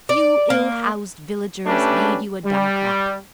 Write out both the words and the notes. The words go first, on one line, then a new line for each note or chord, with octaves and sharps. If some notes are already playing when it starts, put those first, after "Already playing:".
A few ill-housed villagers made you a democrat.
D5
A#3
A3 C#4 D4 G4 B4
G3